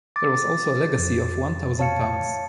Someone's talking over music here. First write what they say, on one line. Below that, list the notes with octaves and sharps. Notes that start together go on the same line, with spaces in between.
There was also a legacy of one thousand pounds.
D6 A6
F2
C#5 F5 A5 C#7